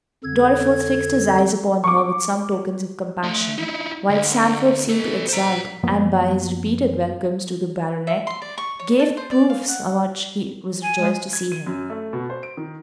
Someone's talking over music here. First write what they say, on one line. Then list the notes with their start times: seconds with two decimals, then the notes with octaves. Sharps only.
Dorriforth fixed his eyes upon her with some tokens of compassion, while Sandford seemed to exult, and by his repeated "Welcomes" to the Baronet, gave proofs how much he was rejoiced to see him.
0.24 F2 D3 A4 G#6
1.84 C#6 D6
3.23 A3 C6
3.58 D#4 E4
4.09 D2
4.89 B3 A4
5.28 C5 A#5
5.83 F#2 F3 A#3 B3
8.07 E5
8.27 C6
8.42 D5
8.58 C#6
8.80 C#5
9.00 A4
9.17 C5
9.31 D5
9.50 F5
9.69 F#5
10.82 G#5
10.98 G#3
11.33 G#6
11.52 D#7
11.66 F#2
11.90 A3
12.13 B2
12.30 C5
12.43 D7
12.57 D#3